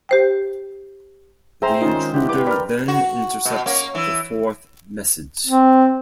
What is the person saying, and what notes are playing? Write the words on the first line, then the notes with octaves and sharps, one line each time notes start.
The intruder then intercepts the fourth message.
G4 C5 G5
C4 G#4 C5 E5 G5 A#5 C6
D#3 G#3 C#4 D#4 F4
D3 E4 G4 F#5
G2 G4 B4 G5 D6
A#4 D5 B5 F6
F#4
B2
A#3 C#4
E3
C4